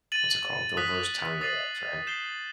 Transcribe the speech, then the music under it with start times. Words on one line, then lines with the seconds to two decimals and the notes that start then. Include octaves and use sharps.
what's it called? The worst time of your life right?
0.12 A6 D#7 F#7
0.77 D#6 F#6 B6
1.41 D#6 A6 C7 D#7 F#7
2.07 G6 C7 E7 G7